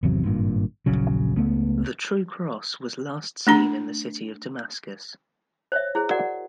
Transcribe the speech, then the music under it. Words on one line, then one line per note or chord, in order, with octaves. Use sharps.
The True Cross was last seen in the city of Damascus.
G#1 E2 C3 F#3
G#1 G2 A#2
D#1 A#1 C#3 F#3
C#2 A3 B3
A3 D4 A#5
C5 C#5 D#5 E5
E4 G#4 C5
F#4 G#4 A#4 D5 F#5